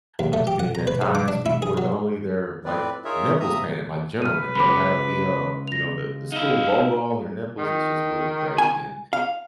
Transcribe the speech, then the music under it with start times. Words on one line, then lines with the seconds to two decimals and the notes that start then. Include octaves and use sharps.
I've seen at times people with only their, like, nipples painted, like gentlemen, they'll have the, uh, you know, the the school logo on their nipples, it's just really crazy and
0.19 D#2
0.33 A3
0.47 G4
0.59 F#5
0.75 A#5
0.87 B4
1.02 G#2
1.15 D6
1.28 D4
1.46 E4
1.62 G#4
1.77 F#3
2.65 F2 A2 C4 B4 D5
3.05 D#4 F4 G#4 A#4 C#5 E5
3.40 D#2 C3 F3 E5 A#5 D#6
4.22 B4 F6 D#7
4.55 C#3 G#3 B5 D6
5.68 A#6 F7
6.32 D#4 E5 F5
7.58 D#3
8.58 G#5
9.13 F5